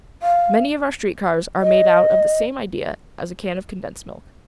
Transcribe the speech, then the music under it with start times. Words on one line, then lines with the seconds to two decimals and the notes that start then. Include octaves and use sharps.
Many of our street cars are made out of the same idea as a can of condensed milk.
0.22 F5
1.61 D#5